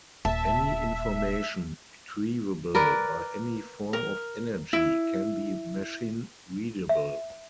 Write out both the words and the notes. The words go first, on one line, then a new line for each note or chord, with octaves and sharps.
Any information retrievable by any form of energy can be machine-readable.
D#1 E5 A5
A#4 B4 D5
A#4
E4
E5